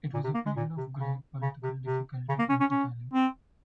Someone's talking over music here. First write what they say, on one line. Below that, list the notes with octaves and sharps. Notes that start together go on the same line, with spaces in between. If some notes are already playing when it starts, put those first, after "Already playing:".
It was a period of great political difficulty in Italy.
A#2
C3
A#3
G#3
A#2
C3
C#3
C#3
C3
C3
C#3
A#3
C#4
C#4
C#4
C4